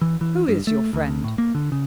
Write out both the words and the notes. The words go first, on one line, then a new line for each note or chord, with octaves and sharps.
"Who is your friend?"
E3
E3
G2
A3
D2
A2
A#3
D3
C#3